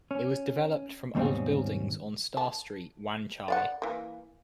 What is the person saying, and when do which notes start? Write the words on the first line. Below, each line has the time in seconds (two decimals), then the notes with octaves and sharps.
It was developed from old buildings on Star Street, Wan Chai.
0.11 C#4
1.15 D#2 G#2 B2 G3 C4 C#4
2.37 A5
3.48 D5 F5 F#5
3.82 E3 A#3